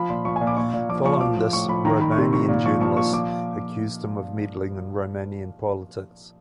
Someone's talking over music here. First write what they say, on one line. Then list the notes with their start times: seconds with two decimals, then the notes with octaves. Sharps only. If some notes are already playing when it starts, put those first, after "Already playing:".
Following this, Romanian journalists accused him of meddling in Romanian politics.
Already playing: F3 B5
0.09 A#2 C6
0.25 F3 C#6
0.36 G#5
0.41 A#2
0.47 D6
0.57 A#2 C#6
0.73 A#2
0.89 F3 D6
1.05 F3 C#6
1.21 F3 D6
1.37 F3
1.53 A2 C#6
1.68 F3 B5
1.85 D#3 A#5
2.01 D#3 B5
2.12 C#6
2.17 C3 C6
2.33 D#3 C#6
2.48 A#2
2.65 F3 C#6
2.81 F3 C#6
2.97 A#2 C#6
3.13 F3 D6